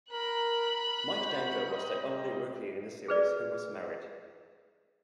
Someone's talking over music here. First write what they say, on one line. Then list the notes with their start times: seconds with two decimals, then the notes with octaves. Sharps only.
Mike Danko was the only rookie in the series who was married.
0.11 A#4 B5 F#6
1.21 F#4 A#4 C5
1.69 G3 C4 D#5
3.08 G#4 B4 D5